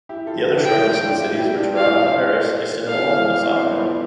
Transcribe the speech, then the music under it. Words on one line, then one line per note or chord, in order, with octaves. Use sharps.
The other shortlisted cities were Toronto, Paris, Istanbul and Osaka.
E4 G4
F4 A4
E4 G4
E4 G4 G5
D4 F4
D4 F4
E4 G4
E4 G4
E4
D4 F4
F4 F5
E4
D4
C4 E4
B3 D4 F5
E4 G4
C4 E4
B3 D4
G3 B3
F3 A3